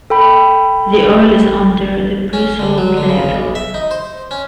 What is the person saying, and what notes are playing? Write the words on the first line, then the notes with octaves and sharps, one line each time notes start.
The oil is under the pre-salt layer.
A4 G5 B5
C#4
D3
F#3
D3
C#3
B1
E5
D#4
C5
C#4